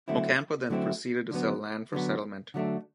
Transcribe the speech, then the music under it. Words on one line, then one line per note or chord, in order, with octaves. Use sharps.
Ocampo then proceeded to sell land for settlement.
D3 F#3 A3 C4 E4
D3 F#3 A3 C4 E4
D3 F#3 B3
D3 F#3 B3
D3 F#3 A3 D4